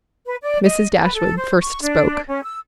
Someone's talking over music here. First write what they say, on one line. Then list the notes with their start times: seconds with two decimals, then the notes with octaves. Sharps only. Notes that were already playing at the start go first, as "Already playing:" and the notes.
Mrs. Dashwood first spoke.
0.26 B4
0.42 D5
0.63 D#5
0.99 B4
1.15 A4
1.36 C5
1.61 C#6
1.83 D4
2.27 C#4
2.44 E6